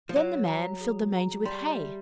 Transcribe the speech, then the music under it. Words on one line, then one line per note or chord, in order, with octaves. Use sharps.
Then the man filled the manger with hay.
F3
F#3 C#5
A#5
G#4
A#5
G3 C6
E5